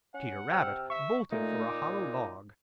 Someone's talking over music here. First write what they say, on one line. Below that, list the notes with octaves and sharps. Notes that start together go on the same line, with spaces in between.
Peter Rabbit bolted for a hollow log.
C#4 F#5
C3 G5 E6 F6
E5 C#6
A#2 A3 D#4
D6